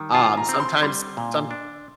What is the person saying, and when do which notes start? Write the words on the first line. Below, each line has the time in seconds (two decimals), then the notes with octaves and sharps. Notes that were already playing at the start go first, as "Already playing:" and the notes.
um, sometimes some
Already playing: D#3 G3
0.14 F4 G#5
0.37 A#5
0.49 C4
0.60 C6
0.82 G3 C6
1.17 A#2
1.51 D4